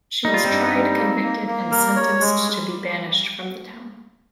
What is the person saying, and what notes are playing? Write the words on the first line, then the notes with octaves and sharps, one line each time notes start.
She was tried, convicted and sentenced to be banished from the town.
G3 D#4
F4
C4 D#4
G2
G3
A#3
A#3
A#3
G3 A#4
C#5
G#3